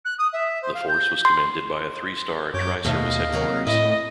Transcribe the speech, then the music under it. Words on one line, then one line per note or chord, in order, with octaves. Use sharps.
The force was commanded by a three-star tri-service headquarters.
F#6
D#6
E5
C5
F5
G6
C6
F#2 C#5 D6 G6
D#2 B2 A3 D#5 F5
C3 F#3 A#3
A2 E4 D#5